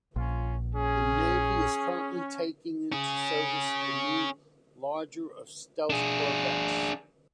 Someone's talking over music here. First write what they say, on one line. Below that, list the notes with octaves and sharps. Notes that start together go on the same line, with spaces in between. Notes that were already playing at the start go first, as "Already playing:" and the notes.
The Navy is currently taking into service the new, larger, of stealth corvettes.
A#1 C#4 F4
C#4 G#4
C#4 G#4
D4 G#4